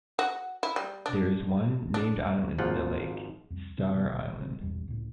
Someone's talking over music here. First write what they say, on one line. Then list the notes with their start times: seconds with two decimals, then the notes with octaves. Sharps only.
There is one named island in the lake, Star Island.
0.19 F#4
0.63 E4
0.76 G3
1.06 D4
1.94 D4
2.58 G#1 D#2 G#2 F3 F4 F#5
3.50 C2 F2
3.78 C3 F#3 C4
3.94 B2 D3 B3
4.38 A#1 C#3 G#3 C4
4.61 G#1 E2 G2 B2
4.88 C#2 A2